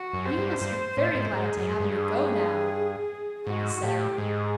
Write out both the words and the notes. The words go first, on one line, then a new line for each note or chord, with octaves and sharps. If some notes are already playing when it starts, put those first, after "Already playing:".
"You must be very glad to have me go now," he said.
Already playing: F#4
F#2
C5
G2
G2
A2
G#2
G#2 G#4
F#2
G2
G#2 F#4
A2 G4
G#2 G#4